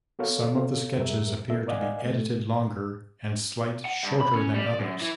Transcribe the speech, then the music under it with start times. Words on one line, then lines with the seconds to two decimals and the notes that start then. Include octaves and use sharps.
Some of the sketches appear to be edited longer and slight shorter than others.
0.19 B3 F#4 A4 A#4 C#5 F5
0.97 F#2 G3 G#4 A#4 E5
1.50 B3 A4 E5
1.67 A#4 D5 D#5 F5 F#5 G#5
2.06 A3
3.85 F#5
4.03 G2
4.20 B5
4.34 C#4
4.54 G3
4.66 D5
4.79 F#2
5.01 E3